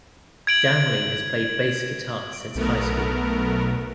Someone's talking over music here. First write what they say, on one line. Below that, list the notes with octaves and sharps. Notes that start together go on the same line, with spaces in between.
Danley has played bass guitar since high school.
G#6 D7 F#7
B1 A3 B3 A#4